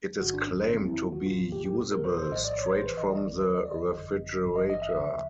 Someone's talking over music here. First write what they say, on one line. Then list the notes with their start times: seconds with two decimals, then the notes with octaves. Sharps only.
It is claimed to be usable straight from the refrigerator.
0.20 A1 G#2 D#3 F#4
0.34 D4
0.47 C#4
0.73 F2 C#3 E3 C4
0.86 E4
0.99 F4
1.13 F#4
1.26 B1 A2 F3 F4
1.52 G4
1.65 G4
1.79 C#2 B2
1.92 A#4
2.05 C5
2.18 C5
2.32 A#1 A2 F3 D#5
2.44 D5
2.58 C#5
2.71 C5
2.84 G#1 G2 E3 B4
2.97 D#5
3.10 D5
3.37 D#2 D#3 B4
3.55 D#5
3.65 D5
3.72 D#5
3.89 G#1 F#2 D3 F3
4.43 G#1 G2 E3
4.56 D#5
4.70 D#5
4.82 E5
4.96 D2 C#3 F3